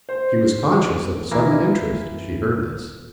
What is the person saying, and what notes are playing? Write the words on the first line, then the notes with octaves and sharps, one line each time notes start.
She was conscious of a sudden interest as she heard this.
C5
E3 A#3